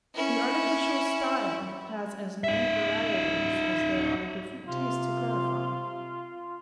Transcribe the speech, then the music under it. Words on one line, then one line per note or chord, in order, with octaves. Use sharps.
The artificial style has as many varieties as there are different tastes to gratify.
C#4 E4
D#4 E5
C3 F4